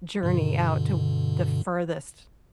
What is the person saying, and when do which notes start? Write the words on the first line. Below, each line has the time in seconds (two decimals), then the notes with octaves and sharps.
journey out to the furthest
0.23 G2 B2 D3